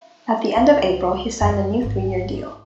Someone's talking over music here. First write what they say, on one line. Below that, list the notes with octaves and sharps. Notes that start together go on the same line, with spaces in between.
At the end of April, he signed a new three-year deal.
C#2
F#2
G#1